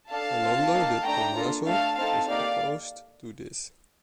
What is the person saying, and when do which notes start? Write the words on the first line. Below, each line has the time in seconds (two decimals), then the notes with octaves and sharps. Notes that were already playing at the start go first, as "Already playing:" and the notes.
Fernando de Tomaso is opposed to this.
0.11 D4 A4 F5 A5
0.43 C4 F4 A4
0.73 A#3 D#4 A4
1.05 A3 D4 A4 G5 A#5
1.36 A#3 D4 F4 A4
1.66 A3 D4 A4 F5 A5
1.97 C4 D#4 A4 F5 A5
2.29 A#3 D#4 G4 D5 F5